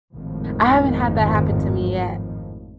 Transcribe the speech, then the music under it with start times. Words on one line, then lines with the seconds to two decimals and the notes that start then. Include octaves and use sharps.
I haven't had that happen to me yet.
0.13 G#1 F2 A2 D#3 F3